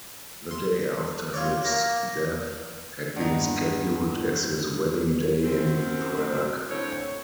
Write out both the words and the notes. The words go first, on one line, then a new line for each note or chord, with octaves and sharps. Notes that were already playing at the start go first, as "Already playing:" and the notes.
The day after his death had been scheduled as his wedding day in Prague.
C6
F4 C#5 D5
A#3 A#4 F5
G2 B3 D#4 D5 F#5
F#2 C4
A2 D3 C4 C#5